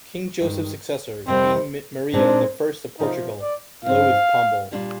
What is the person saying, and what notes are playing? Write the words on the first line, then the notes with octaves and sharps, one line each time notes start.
King Joseph's successor, Queen Maria the First of Portugal, loathed Pombal.
G2 D#3 G#3 D#4
F2 C3 G3 A#3 C4
A#2 G#3 C4 D4 D#4
C3 F3 A#3 D#4 F4
D5
G2 F3 C4 D#4 F5
A#2 G3 D4 F4